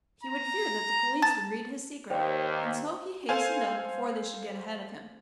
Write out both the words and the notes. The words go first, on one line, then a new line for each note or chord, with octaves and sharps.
He would fear that the police would read his secret, and so he hastened on before they should get ahead of him.
A#5
A5 A6
D#2 C5 D5 G5
A4 C5 F5 G#5